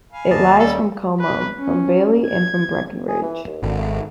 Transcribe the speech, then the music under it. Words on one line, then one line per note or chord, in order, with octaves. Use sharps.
It lies from Como, from Bailey, and from Breckenridge.
F5 G#5 B5
D#2 D5 D#5 A5
C#3 G3 A4
B4
C#4
G#6
G#4
E3
D#2
G#1 D3
A3